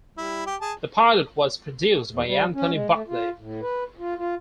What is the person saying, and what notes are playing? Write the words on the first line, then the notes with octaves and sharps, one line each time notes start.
The pilot was produced by Anthony Buckley.
G3 E4
G4
G#4 A5
E2
G3
C#4
G#3
A3
F4
A2
B4
F4
F4